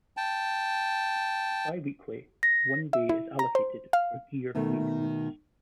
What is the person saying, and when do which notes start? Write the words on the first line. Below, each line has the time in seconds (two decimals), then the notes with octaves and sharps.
Biweekly, one day is allotted for gear maintenance.
0.17 G5 A5
2.43 A#6
2.93 E5
3.09 E4
3.39 A#5
3.55 C5
3.93 F5
4.55 B2 D#3 A3